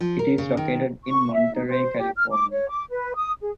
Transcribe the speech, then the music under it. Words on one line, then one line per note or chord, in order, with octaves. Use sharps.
It is located in Monterey, California.
F3
A#4
C#3
D#3
C#6
E5
D#4
C5
G4
F6
D6
C#5
D6
B4
D#6
G#4